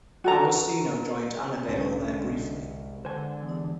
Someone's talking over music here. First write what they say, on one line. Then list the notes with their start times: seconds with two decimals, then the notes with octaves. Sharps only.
Agostino joined Annibale there briefly.
0.24 F#4 A4 A#5
1.68 C2 A2 D3 C#4
2.14 G#3
3.05 D3 C5 G#5
3.42 E2